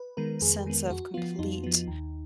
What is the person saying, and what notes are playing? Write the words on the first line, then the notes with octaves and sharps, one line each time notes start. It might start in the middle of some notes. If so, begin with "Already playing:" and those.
sense of complete
Already playing: B4
D#3 G#3 B3 A#4
F2 G#4
D#3 G#3 B3
F2 F#4
F3 B3 F4
F2 D#4
F3 B3
D#2